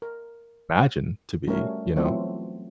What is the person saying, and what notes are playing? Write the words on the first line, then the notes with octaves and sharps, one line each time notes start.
imagine to be, you know?
A#4
G3 A3 C#4 F#4 A#4 C#5
E3 F#3 A3 B3 C4 F4